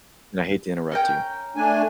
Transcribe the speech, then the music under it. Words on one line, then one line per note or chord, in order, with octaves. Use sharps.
and I hate to interrupt you.
C#4 A#4 G5
A3 D4 G#5